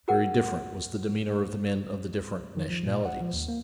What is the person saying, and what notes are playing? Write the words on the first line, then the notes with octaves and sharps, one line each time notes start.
Very different was the demeanour of the men of the different nationalities.
F#4 G#4 A#4 F#5
D#3
F3
A#2
F#5
F3
D#2
A#3